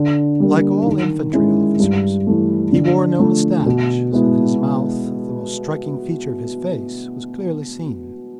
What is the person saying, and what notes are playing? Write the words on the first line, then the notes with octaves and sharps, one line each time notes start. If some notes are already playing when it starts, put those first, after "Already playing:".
Like all infantry officers he wore no mustache, so that his mouth, the most striking feature of his face, was clearly seen.
Already playing: D3
G3 A#3
D#3
G#3 C#4 E4
G2
E3 A3
D3
F3 A3
B2
G#3 B3 E4